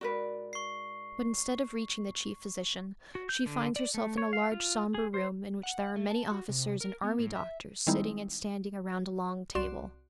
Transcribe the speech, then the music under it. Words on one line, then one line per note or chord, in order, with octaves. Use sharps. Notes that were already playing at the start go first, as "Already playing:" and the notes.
But instead of reaching the chief physician, she finds herself in a large somber room in which there are many officers and army doctors sitting and standing around a long table.
G#2 G#3 F#4 A#4 B4 D5
C#6 C7
F#4
G6
D3
D5
A3
C#5
F5
F4
G#4
C5
F#5
A3
A5
F#4
C3
A#4
B3
A2
E5
D#3 G3 G#3 C4 D#4 E4
C2 F#4 D5 C6 E7